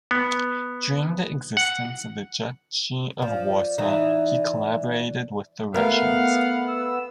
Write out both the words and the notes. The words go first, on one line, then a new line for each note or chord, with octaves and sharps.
During the existence of the Duchy of Warsaw he collaborated with the Russians.
B3
F#5
F3 D5
E3 D#4
A3 B3 A#4 F5 F#5
E6